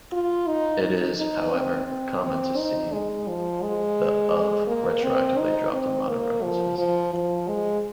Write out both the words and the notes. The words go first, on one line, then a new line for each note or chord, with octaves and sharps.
It is, however, common to see the "of" retroactively dropped in modern references.
F4
D#4
D#4
D#4
C4
C4
C4
D#4
G#3
F3
G#3
A#3
C4
D#4
C4
A#3
F3
F3
F3
G#3